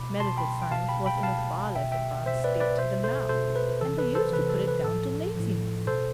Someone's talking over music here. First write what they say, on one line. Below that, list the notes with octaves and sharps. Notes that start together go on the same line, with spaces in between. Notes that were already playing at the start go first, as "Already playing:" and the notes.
Medical science was in a far less advanced state than now, and they used to put it down to laziness.
Already playing: B2 B5 D6
B2 A5 C6
G5 B5
G5
B2 F5 A5
G5 B5
G5 B5
B2 F5 A5
B2 E5 G5
E5 G5
B2 C5 E5
B4 D5
B4 D5
B2 C5 E5
A4 C5
B2 A4 C5
B4
C3 E3 A4
B4
A4 C5
C3 E3 B4
A4
B4
A2 F3 A4
A2 F3
B2 A4 C5